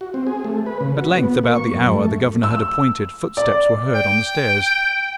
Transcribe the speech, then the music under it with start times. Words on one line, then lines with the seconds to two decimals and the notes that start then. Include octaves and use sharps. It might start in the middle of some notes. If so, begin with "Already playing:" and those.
At length, about the hour the governor had appointed, footsteps were heard on the stairs.
0.01 F#4
0.14 C4
0.27 G#4
0.44 A3
0.66 B4
0.81 C#3
0.97 F#4
1.18 B3
1.43 A#3
1.55 C#6
1.74 F#2
1.93 A3
2.43 E6
3.37 D5
3.95 G5